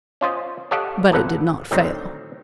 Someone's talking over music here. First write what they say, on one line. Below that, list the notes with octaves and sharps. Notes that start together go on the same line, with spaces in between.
But it did not fail.
C#4 F4 C5 D#5
G4 A4 C#5 D#5 F5 F#5
G#1 A#2 A4 B4 F#5
A2 D3 D#3 F#3 C4 D#4